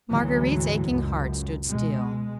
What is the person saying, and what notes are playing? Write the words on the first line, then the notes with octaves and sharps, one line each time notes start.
Marguerite's aching heart stood still.
G#1 D2 E3 F#3 G#3
C#2 F#2
B2 G#3